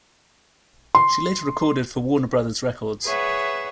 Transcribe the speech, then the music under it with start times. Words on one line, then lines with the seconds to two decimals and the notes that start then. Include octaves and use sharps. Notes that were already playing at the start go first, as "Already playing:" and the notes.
She later recorded for Warner Brothers Records.
0.95 C6
3.06 G#4 B4 C#5 E5 F#5